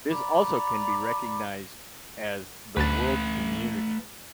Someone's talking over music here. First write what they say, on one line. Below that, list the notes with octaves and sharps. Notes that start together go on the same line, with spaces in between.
This also can be recognized as the World Community.
D5 A#5 B5 D6
D2 A3 B4 A6